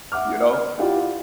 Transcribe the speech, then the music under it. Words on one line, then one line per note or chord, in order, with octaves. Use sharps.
you know?
E5 F#5 D6 F6
F6
E4 F4 G4 F#5 G5